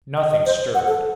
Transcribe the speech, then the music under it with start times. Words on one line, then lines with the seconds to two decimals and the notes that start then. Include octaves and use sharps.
Nothing stirred.
0.17 D#5
0.31 D#5
0.46 C5
0.75 F#5
0.88 A4